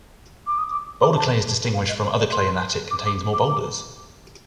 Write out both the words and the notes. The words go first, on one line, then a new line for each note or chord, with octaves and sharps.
Boulder clay is distinguished from other clay in that it contains more boulders.
D6
D#6
D6
D6
A5
F5
D#5
C5
D5
C6
D6
D6
D6
D6